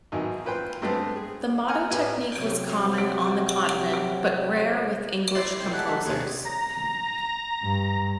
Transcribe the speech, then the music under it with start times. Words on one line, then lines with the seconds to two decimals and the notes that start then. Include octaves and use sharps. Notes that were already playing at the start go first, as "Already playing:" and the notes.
The motto technique was common on the continent, but rare with English composers.
0.12 G#1 E2 D#3 F#3
0.45 A#2 B4 C5 G5
0.82 G2 G#3 A3 B3 C4
1.16 G#4
1.68 F#5 G#5 A#5 F6
1.90 A1 B3 G4 G#5 F6
2.37 C3 F#3
5.35 E4 G4 C5 D5 D#5
5.60 A#2 C4 C5
5.73 G#3 E4 G4 A4 F#5
5.88 D4 D#4 E5
6.06 D#2 C3 G#3 A#3 C#4 G#4
6.44 A#5 A#6
7.62 G2